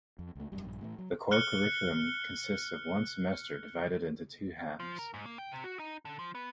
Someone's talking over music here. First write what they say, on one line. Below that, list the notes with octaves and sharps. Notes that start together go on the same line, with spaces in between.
The core curriculum consists of one semester, divided into two halves.
F2
C#2 A3
E1 F#2 G3
A#1 G2
A2 C#3 E3
F#3
F6 F#6 C#7 G7
F3
A#4
G#2
A#3
G5
C3
F#4
D#4
D3
F3
B3